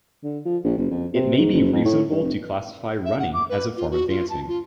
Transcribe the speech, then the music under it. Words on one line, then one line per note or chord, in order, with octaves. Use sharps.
It may be reasonable to classify running as a form of dancing.
D3
F3
A#1
F#1
F2
C3
G#2
F#1
F2
A2
G2
F1
E5
F#5
D6
B4
F4
F#4
F4
A5
F4